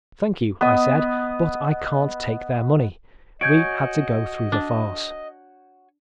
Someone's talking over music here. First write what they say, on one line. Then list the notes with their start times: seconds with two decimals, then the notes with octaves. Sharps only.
"Thank you," I said, "but I can't take their money." We had to go through the farce.
0.61 B3 D#5
3.41 F#4 C#5 D#5 G#5 G6 G#6 D7
4.52 D4